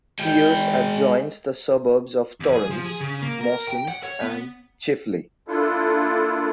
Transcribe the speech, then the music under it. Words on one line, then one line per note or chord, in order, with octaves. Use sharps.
Pearce adjoins the suburbs of Torrens, Mawson and Chifley.
G#3 G5
E2
G#4
F3
G#4
C#3
A#3
A#4
G5
F#5
C#5
B3
A#3 D4 E4 F4 A4